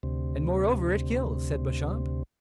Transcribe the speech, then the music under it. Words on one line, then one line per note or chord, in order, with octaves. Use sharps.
"And moreover, it kills," said Beauchamp.
D2 C3